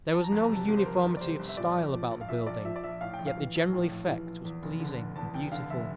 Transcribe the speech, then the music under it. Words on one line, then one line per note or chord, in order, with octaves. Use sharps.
There was no uniformity of style about the building, yet the general effect was pleasing and beautiful.
F2 A5
A#5
G1 A5
A#5
C3 A5
G1
C5
F2 A#4
G1
D5
C3 C5
G1
E5
A#2 D5
A#1
F3
A#1
F5
A#2 E5
A#1 D5
F3 E5
D5
A#1 E5
A2 F5
G5
A#1
F5
E3
A#1
A2
A#1
E3
A#1
E2
F1
D3
F1
E2 A5
F1 G5
D3 F5
F1 E5